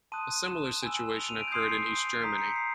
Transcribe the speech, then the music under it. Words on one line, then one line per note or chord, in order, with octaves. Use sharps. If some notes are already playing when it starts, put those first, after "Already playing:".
A similar situation occurred in East Germany.
A5 C6 D#6 F#6 D#7
D#7
E7
G#5 B5 E6
F7
D#7
D7
C6 D#6 G6 C7
C#7
C7
A#5 D#6 G6 B6
C#7
C7